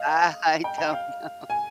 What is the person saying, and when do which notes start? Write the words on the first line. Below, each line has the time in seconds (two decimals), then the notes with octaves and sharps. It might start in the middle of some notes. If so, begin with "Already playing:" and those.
Uh, I don't know.
Already playing: D#5 F5
0.64 G5
0.78 G5
0.92 F5
1.50 G#5